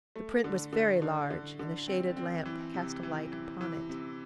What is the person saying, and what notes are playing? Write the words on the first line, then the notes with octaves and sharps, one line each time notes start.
The print was very large, and a shaded lamp cast a light upon it.
A3
D3
D3
D3
D3
D3
C4
C4
E3
C3
E3
E3
E3
C3